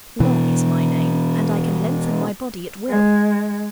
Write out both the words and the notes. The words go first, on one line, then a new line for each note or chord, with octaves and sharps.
'Long is my name, and I can lengthen my body at will.
B2 E3
G#3